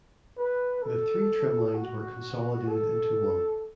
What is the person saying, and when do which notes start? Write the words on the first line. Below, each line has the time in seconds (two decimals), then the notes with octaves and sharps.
The three trim lines were consolidated into one.
0.37 B4
0.83 A4
1.75 F#4
2.67 A4